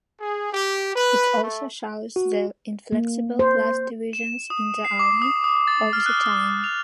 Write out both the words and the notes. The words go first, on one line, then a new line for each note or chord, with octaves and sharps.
It also shows the inflexible class divisions in the army of the time.
G#4
G4
B4
A3
F#4
A#3
C5
E7
D#6
C7
D6
D#6
D#6
A6
F6
F#6
F7